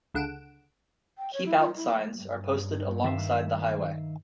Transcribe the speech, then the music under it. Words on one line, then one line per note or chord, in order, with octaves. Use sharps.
"Keep Out" signs are posted alongside the highway.
C#2 D3 F#5 D7 E7
G5
C#5
E4
F4
E4
G2
D#3 E5 F5